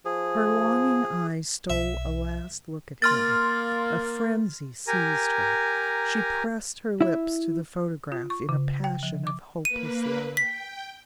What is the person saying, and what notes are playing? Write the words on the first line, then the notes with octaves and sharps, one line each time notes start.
Her longing eyes stole a last look at him--a frenzy seized her--she pressed her lips to the photograph in a passion of hopeless love.
F3 G#4
B1 E5
A#3 C6 F6 A6
G4 A#4 G#5 A#5
E4 E5
F4
C#6
C#3
G5
F3
D6
A#3 B4 D#7
G5 B6